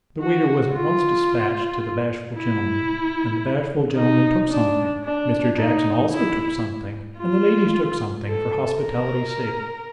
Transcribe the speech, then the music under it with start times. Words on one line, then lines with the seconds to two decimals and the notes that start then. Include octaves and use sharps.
The waiter was at once despatched to the bashful gentleman, and the bashful gentleman took something; Mr. Jackson also took something, and the ladies took something, for hospitality's sake.
0.21 F#4
0.73 F4
2.35 E4
3.96 D#4
4.50 D4
5.04 D4
5.57 D#4
6.12 E4
7.18 F4
8.27 A4
8.80 A#4